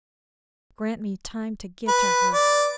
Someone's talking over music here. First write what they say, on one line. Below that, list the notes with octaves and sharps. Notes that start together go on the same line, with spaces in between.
Grant me time to get to her....
B4
D5